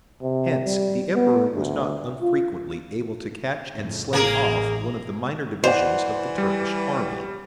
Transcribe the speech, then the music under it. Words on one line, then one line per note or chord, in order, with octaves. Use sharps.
Hence the Emperor was not unfrequently able to catch and slay off one of the minor divisions of the Turkish army.
C3
G3
B3
D2
F4
F2 A2 C#3
A1 A#3 G#4 A#4
E3 C5 D5 F#5
G3